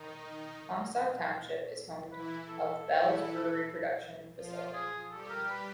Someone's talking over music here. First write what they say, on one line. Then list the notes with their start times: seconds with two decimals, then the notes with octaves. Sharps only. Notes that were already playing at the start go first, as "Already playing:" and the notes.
Comstock Township is home of Bell's Brewery production facility.
Already playing: D#3 D#4
2.11 E3 E4 B4
2.49 A4
2.86 E3 E4
4.36 F3 F4
4.74 G#4
5.11 G3 G4 A4
5.29 A#4
5.49 B4